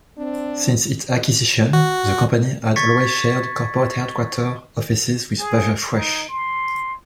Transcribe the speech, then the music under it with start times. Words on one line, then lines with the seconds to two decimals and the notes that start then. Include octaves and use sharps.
Since its acquisition, the company had always shared corporate headquarter offices with Baja Fresh.
0.17 C4 D4
1.73 F#4
2.76 C#6 G#6 A6 B6 C#7
5.39 G#4
5.94 D#4
6.29 C6